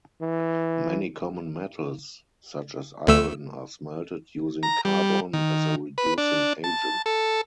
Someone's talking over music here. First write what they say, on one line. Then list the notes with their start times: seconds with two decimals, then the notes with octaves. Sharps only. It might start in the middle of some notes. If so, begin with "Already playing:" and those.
Many common metals, such as iron, are smelted using carbon as a reducing agent.
0.22 E3
3.07 D2 A3 E6
4.63 A#5
4.85 G3
5.33 D#3
5.98 B4
6.18 D4
6.64 A5
7.06 A4